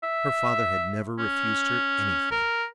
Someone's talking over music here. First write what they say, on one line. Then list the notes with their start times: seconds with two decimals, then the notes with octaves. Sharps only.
Her father had never refused her anything.
0.03 E5
1.19 C#4
2.31 A#4